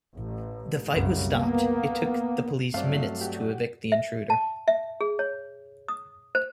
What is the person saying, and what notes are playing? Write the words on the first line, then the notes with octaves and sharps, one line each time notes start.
The fight was stopped, it took the police minutes to evict the intruder.
A1
C2 F#2 C#3
A#3 B3
G2 F#3 A3 C4 D5 F5
F#4 G4
E5
A5
E5
G#4
C#5
D#6
C5